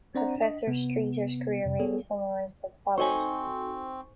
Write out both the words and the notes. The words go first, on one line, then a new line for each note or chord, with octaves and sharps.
Professor Streater's career may be summarised as follows.
C4 D4 C5 D5 F#5 A#5
D4 D#5
C3 B3
F2 C3
B3 G#4 A4 C#5
C4 D#4 F#4 A4 C5 D#5 G#5 C#6